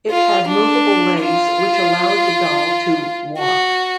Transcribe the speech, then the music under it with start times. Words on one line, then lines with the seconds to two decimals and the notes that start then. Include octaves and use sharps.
It had movable legs which allowed the doll to "walk".
0.11 F4
0.47 D4
1.20 F4
3.38 F#4